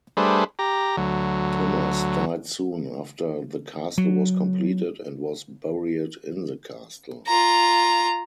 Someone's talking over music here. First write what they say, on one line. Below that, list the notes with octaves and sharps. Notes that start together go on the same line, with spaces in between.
Thomas died soon after the castle was completed and was buried in the castle.
G3 A3 D4 G#4 B4 C5
G4 A#5
D2 F#3
F#3
F4 A#5